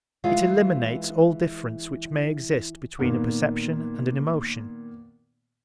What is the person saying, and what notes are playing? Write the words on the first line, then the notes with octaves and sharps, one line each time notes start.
It eliminates all difference which may exist between a perception and an emotion.
E3 G#3 F4
A#2 D#3 A#3 B3